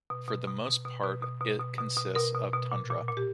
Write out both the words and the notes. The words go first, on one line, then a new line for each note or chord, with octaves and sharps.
For the most part it consists of tundra.
B2
B2
B2
B2
B2
B2 B4
B2
B2
B2
B2
B2
B2 A#4
B2
B2
A#2
A#2
A#2
G4